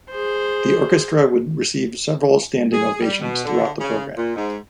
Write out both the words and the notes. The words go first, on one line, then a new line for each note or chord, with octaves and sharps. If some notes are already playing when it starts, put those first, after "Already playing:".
The orchestra would receive several standing ovations throughout the program.
G#4 C5
G#4
G3
B2
D3
C#3
A#2
G#2